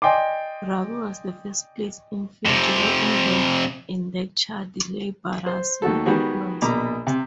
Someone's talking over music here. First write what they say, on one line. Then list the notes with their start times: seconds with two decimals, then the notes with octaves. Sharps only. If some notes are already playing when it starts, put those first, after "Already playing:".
Rabi was the first place in Fiji where Indian indentured labourers were employed.
0.02 D5 D#5 G5 G#5 C6 D6
2.45 F2 C3
5.46 C5
5.82 D#2 A3 F#4 A4
6.05 D#3 G3 G#3 B3 F#4 G#4
6.62 A#1 B2 A#5 B5 D6
7.07 C3